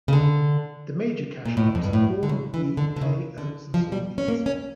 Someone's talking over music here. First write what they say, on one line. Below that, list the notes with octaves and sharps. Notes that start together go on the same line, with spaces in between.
The major cash crops are corn, wheat, hay, oats, and soybeans.
C#3
D3
A#2
A2
F2
G2
A2
D3
C#3
E3
D3
D3
C#3
D3
F3
G3
C#4
A#3
C#4